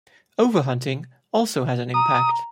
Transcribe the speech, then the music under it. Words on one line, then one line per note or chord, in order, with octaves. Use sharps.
Overhunting also has an impact.
A#5 D#6